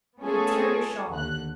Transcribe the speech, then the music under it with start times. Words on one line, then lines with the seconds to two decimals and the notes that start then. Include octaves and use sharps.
"You'll tear your shawl."
0.21 A3 B3 C#4 F4 G#4 A4
1.09 D#2 D3 F#6